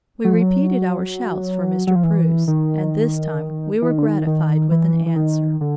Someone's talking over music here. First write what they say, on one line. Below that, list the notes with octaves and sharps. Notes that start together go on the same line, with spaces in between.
We repeated our shouts for Mr. Preuss; and this time we were gratified with an answer.
F#3
F3
F#3
F#3
F3
E3
D#3
E3
D#3
D3
D#3
D#3
E3
E3
D#3
D3